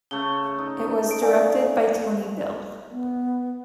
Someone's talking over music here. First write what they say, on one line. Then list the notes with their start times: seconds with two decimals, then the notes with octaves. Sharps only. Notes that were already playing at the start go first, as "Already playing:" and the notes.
It was directed by Tony Bill.
0.11 C#3 A3 G7
0.58 D#4
1.11 D7
1.22 D5 F5 G#5
2.91 B3